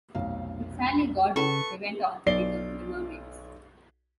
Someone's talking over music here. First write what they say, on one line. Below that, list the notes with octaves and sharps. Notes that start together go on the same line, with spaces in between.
With Sally Gordon, they went on to become The Murmaids.
F1 B1 F5
C#3 A4 B4 C#6
B1 D5 C7 G7